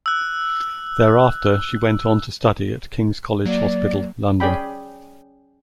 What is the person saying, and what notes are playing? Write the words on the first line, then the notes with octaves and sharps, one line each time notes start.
Thereafter she went on to study at King's College Hospital, London.
E6 F#6
F#3 A#3 D5
C#4 G#4 D5 G5 B5